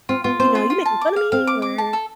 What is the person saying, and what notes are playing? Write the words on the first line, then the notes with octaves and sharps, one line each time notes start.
you know, "You making fun of me?" or
C4 F4
B3 F4
C4 C5
F4
F4
A5
D6
F5
C4 F5
D6
D6
A5
A4